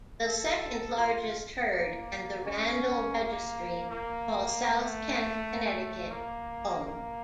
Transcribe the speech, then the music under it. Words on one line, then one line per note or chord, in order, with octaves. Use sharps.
The second largest herd, and the Randall Registry, call South Kent, Connecticut home.
A4
F4
A#3
C#4
A#3
A#3
A3
A#3
A#3